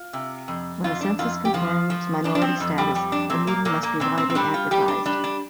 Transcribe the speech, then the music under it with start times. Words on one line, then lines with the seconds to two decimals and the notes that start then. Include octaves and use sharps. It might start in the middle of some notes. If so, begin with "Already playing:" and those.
When the census confirms minority status, a meeting must be widely advertised.
Already playing: F4
0.13 C3
0.48 F2
0.84 F2 F4
1.01 D4
1.19 F2 F4
1.45 G4
1.54 F3 F4
1.90 F3
2.24 F3 D4
2.35 D4
2.42 C4
2.60 F2
2.78 G3
2.95 G3
3.12 D4
3.30 A#2 C4
3.47 A#3
3.65 A#2 A#3
3.83 A#3
4.00 A#2 C4
4.18 C4
4.30 C4
4.35 G3 D4
4.54 F4
4.71 G3 G4
4.88 D4
5.06 G3 D4
5.24 D4